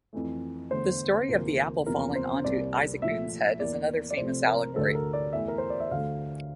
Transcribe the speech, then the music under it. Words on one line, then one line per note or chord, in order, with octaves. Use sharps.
The story of the apple falling onto Isaac Newton's head is another famous allegory.
F2 E3 A3
E2 D3 A3 C5
D2 C3 E3 A#3
E2 C3 F3 A#3 A#4
C5
C2 C3 G3 A#3 D5
A#2 F3 A3 E5
E2 E3 A#3 D5
D5
C2 C3 F3 A3 C5
A#4
D2 D3 A3 A4
A#4
D5
E2 E3 A3 E5
A#4
C5
D5
E5
D2 D3 A3 F5